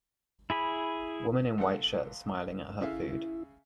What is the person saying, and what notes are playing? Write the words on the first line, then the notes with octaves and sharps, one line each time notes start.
Woman in white shirt smiling at her food.
E4 G#4 B5
A#1 A4 F#5
C#3 E4 E5 F5